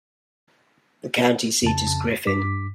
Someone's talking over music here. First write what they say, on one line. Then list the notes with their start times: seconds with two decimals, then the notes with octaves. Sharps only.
The county seat is Griffin.
1.63 F2 C#3 A5
2.27 G2 D6 B6